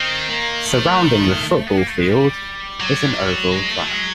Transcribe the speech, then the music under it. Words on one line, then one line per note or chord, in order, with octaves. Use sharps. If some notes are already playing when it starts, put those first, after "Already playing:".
Surrounding the football field is an oval track.
Already playing: D#3 C4
A#3
A3
B3
A#3
A3
G#3
G3
F#3
G#3
A3
A3
G#3